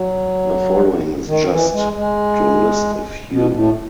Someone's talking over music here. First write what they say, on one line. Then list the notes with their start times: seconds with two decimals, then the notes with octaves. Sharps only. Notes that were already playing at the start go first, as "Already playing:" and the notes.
The following is just to list a few.
Already playing: F#3
1.27 D#3
1.51 E3
1.73 G#3
1.96 G#3
3.31 B2
3.54 A2